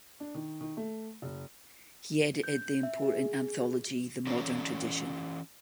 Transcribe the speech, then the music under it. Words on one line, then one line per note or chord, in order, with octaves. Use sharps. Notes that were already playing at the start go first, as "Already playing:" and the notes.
He edited the important anthology, "The Modern Tradition".
D4
D#3
D#3
A3
F#1
G6
E5
G#4
E3 C#4 F4 A4 D5 A#5